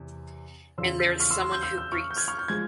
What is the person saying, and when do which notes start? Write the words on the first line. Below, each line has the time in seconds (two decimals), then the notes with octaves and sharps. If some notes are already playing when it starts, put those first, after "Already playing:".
And there is someone who greets them.
Already playing: E2 C3
0.78 E2 C#3 F3 C6 E6
0.99 E6 G6
1.20 C#6 F6
1.31 C6 E6
1.42 C6 E6
1.52 E6 G6
1.63 E6 G6
1.77 E6 G6
1.92 C#6 F6
2.11 G6
2.17 F6 G#6
2.28 C#6 F6
2.39 G6
2.48 F3 G#3 G#6